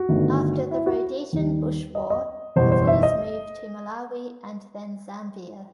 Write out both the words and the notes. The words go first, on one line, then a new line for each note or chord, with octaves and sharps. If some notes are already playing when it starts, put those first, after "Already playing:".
After the Rhodesian Bush War, the Fullers move to Malawi and then Zambia.
Already playing: F#4
G1 G2 D#3 A3
E4
F#4
D#2 D#3 G3
D#5
D#5
F#1 E2 B2 G3 C5
C5
E5
D#5